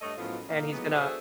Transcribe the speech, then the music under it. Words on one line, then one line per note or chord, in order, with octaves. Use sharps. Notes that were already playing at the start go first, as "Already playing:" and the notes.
and he's gonna
G2 A3 A4 C#5 D#5
F#2 A2 F3 B3 F4
A#3 D#4
E3 F#3 G#3 A3 B3
D4 F#4 G#4 A4 C5 E5